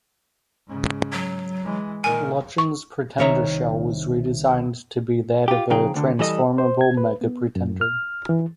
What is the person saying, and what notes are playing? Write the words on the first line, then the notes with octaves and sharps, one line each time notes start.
Bludgeon's Pretender shell was redesigned to be that of a transformable Mega-Pretender.
G#2 C#3
F#3
E3 G#3
A#2 D#3 A#4 G#5
C#6
C2 D#3 C#5 E5 A#5
F4 G4
F2 C#3 D#4 G#4 G5
D2 D3
E3 G3 A4 D#5
C5
G#6
B4
B3
F#2
F6
E3